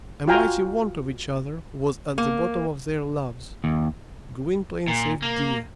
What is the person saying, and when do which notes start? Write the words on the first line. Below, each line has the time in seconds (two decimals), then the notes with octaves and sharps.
A mighty want of each other was at the bottom of their loves, Gwynplaine saved Dea.
0.28 F4 F#4 F5 G5 G#5 A#5
2.18 A#3
3.64 D#2
4.88 A#2
5.22 A#3